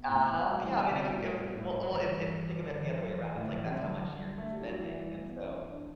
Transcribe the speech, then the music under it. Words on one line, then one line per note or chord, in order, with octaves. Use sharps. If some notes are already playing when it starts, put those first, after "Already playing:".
Uh-huh, yeah, I mean, it was it was, well well, it's it's, think of it the other way around, it's like that's how much you're spending, and so,
Already playing: B3
A2
B2 G3
E3
D3
C3
B2
A2
B2
A2
G2 E3
D3
E3
D3
E3
F#3
E3
A2 D3
F#3
E3
C3
D3 G3
F#3
F#3
G3
G3
A3
D4
G3
F#3 E4
E3
G3
A3
B3
C4
D4
D4